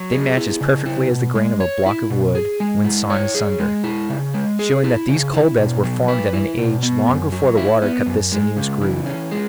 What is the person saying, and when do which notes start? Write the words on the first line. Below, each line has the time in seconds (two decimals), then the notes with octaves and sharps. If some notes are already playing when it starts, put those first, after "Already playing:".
They match as perfectly as the grain of a block of wood when sawn asunder--showing that these coal beds were formed at an age long before the water cut this sinuous groove.
Already playing: F#3
0.12 G#4
0.37 E4
0.61 C#3
0.86 E4
1.11 B2
1.35 G#3
1.60 C#5
1.86 E4
2.10 B2
2.35 G#4
2.60 G#3
2.84 E4
3.10 C#5
3.35 G#4
3.60 G#3
3.84 E4
4.09 C#3
4.34 G#3
4.59 G#4
4.84 E4
5.09 C#3
5.33 E4
5.59 B2
5.83 F#3
6.08 B4
6.33 E4
6.58 B2
6.83 B3
7.08 F#2
7.32 F#3
7.57 E4
7.82 B3
8.06 F#2
8.32 G#3
8.57 C#3
8.82 E3
9.06 C#4
9.31 G#3